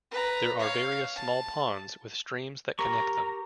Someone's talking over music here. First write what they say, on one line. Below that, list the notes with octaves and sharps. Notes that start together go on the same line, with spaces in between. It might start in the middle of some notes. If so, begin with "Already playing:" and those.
There are various small ponds with streams that connect them.
B4 A#5
C#5 F5
A5
G4 A#4 A#5 C#6